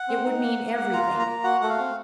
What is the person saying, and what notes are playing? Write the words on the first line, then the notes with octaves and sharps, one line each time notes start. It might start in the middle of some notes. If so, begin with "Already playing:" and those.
It would mean everything.
Already playing: F#5
C4
D#4
A#3
A#3
A#3
F4 A#5
A#3
A#5
A#3
F#4 F#5
A3 F#5
F5
C4